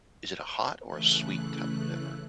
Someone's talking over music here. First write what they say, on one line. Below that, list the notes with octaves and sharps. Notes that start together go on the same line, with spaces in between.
Is it a hot or a sweet type of pepper?
C#3 E3 A3 F#6